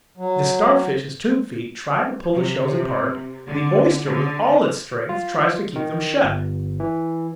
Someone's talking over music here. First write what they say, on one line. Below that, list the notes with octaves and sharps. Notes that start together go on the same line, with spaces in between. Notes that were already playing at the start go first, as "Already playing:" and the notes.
The Starfish's tube-feet try to pull the shells apart; the oyster, with all its strength, tries to keep them shut.
F#3
C3
D3
D3
F4
D#3
G1
E3